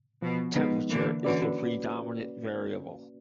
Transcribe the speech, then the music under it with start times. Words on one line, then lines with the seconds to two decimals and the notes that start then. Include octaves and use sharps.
Temperature is the predominant variable.
0.22 B2 F3
0.56 B2 G#3 B3 D#4
0.90 D3 E3 A#3
1.24 D3 E3 C#4 F#4 B4 D5